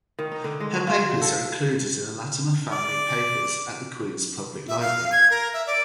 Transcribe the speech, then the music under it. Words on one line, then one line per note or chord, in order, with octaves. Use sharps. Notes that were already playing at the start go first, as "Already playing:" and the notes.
Her papers are included in the Latimer Family Papers at the Queens Public Library.
D#3
D#4
D3
G#3
F#4
F4
F#3
A4
D5
E5
F5
G#6
A#4
E5
D5